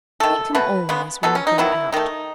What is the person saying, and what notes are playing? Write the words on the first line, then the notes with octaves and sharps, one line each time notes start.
Thank him always when you go out.
D#3 A3 A4
B2 A3 B4
C#3 G#3 B3
B2 F#3 B3 A4
C#4
D#4
D#3 F#3 B3 E4
D#3 A3 D#4